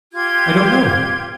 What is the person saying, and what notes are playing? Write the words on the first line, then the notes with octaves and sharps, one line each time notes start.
"I don't know."
F4 G4 G#6